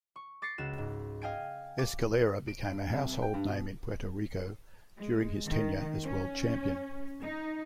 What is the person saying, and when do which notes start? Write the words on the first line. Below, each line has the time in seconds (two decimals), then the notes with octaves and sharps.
Escalera became a household name in Puerto Rico during his tenure as world champion.
0.16 C#6
0.42 D6 A6 A#6 C7 C#7
0.58 C#2 F#4 E7
0.78 G#2
1.21 D#5 F5 G5 G#5 G#6 D7
1.79 D6
2.48 D7
2.71 G2
2.92 C2
3.22 G5
3.34 G2
3.48 B2
4.97 G#3
5.46 D#3
6.04 C#4
7.21 D#4